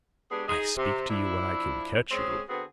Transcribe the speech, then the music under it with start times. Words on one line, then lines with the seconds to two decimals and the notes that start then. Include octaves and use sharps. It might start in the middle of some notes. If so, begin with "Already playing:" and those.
I speak to you when I can catch you.
0.31 G#3 B3 D4 G4 G#4
0.48 D#4 G#4
0.77 C3
1.10 F3 D4 E4
2.10 G#3 C4 C#4 G#4
2.49 D3 B3 C4 F#4 G#4